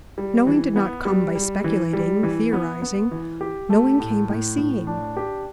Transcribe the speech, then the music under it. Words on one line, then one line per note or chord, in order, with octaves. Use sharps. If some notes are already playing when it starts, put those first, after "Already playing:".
Knowing did not come by speculating, theorising. Knowing came by seeing.
G3
E3
B3
G3
G3
E3
G3
E3
B3
B3
E3
G4
A3
A2
A2
A2
D4
G4